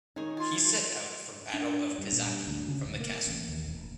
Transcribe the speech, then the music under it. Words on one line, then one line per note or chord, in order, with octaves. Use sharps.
He set out for Battle of Kizaki from the castle.
D#3 D#4 G#4 C#5 G#5
F4 G#5 C6
D4
G2
A#2
G2
D2
C#3
D#1
A#3
A1
D#2
E1